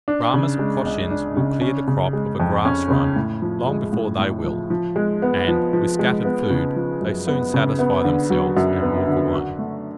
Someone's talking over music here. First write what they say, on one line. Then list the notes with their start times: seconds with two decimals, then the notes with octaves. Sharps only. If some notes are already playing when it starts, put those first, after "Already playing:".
Brahmas or Cochins will clear the crop of a grass-run long before they will, and, with scattered food, they soon satisfy themselves and walk away.
0.08 D4
0.34 C#3
0.59 G#3
0.85 C#2
1.11 D4
1.37 C#3
1.61 C#4
1.88 C#3
2.13 G#3
2.40 F2
2.65 C#4
2.90 C#3
3.16 A2
3.42 F3
3.68 G#3
3.93 A2
4.19 A2
4.44 F3
4.70 F3
4.96 G#3
5.22 B3
5.48 F3
5.73 F3
5.99 G#3
6.25 B3
6.50 C#3
6.76 F3
7.01 F#2
7.27 B3
7.54 C#3
7.79 B3
8.04 D3
8.30 F#3
8.57 F#2
8.82 B3
9.07 D3
9.34 F#4
9.59 A3